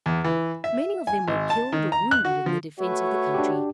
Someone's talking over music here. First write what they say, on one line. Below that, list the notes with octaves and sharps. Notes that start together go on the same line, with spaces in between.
Many of them were killed or wounded in the defence of the country.
E2
E3
E5
G#5
G#1
A5
D#3
A#5
F#6
F#4
F3
A3 F#4 B4 C#5 E5
D4 G4